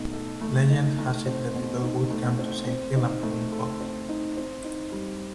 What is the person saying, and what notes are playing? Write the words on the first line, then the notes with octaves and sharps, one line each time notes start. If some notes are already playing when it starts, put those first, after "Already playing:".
Legend has it that the bell would come to Saint Fillan when called.
Already playing: B2 A3 D#4
A4
A3
D#4
A3
C4
B2
D#4
A3
C4
C4
D#4
A3
A4
C4
D#4
C4
D#4
G3